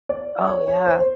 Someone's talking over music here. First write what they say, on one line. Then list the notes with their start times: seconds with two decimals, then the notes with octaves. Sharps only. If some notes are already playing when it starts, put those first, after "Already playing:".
Oh, yeah.
0.09 D5
0.48 C#5
0.68 C#5
0.87 C5
0.99 C5